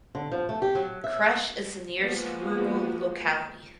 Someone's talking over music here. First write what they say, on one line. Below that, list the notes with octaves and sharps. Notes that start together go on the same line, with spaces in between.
Krush is the nearest rural locality.
D3
F3
A3
G4
F#3
E5
F3 G#3 A#3 B3 F#4